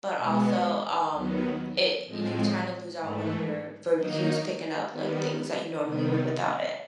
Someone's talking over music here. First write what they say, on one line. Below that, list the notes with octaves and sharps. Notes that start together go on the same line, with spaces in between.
but also, um, it you've trying to lose out on your verbal cues picking up, like, things that you normally would without it.
B2 G#3 B3
D#2 D#3 F#3 B3
A2 F3 G#3 C4
G#2 E3 A3
D#3 F#3 A#3 D#4
D#3 G3 B3
C3 D#3 G3 B3